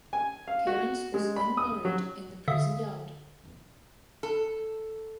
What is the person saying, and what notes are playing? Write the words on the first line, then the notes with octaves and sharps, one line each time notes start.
Kerins was then buried in the prison yard.
G#5
F5
F#4
G#3
B5
D#6
F#3
D3 A4 E5 F5 D#6
A4